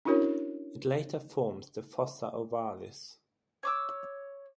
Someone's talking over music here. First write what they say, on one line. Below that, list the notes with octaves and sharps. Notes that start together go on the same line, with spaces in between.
It later forms the fossa ovalis.
C#4 D4 E4 F#4 A#4 C#5
C#5 D6 E6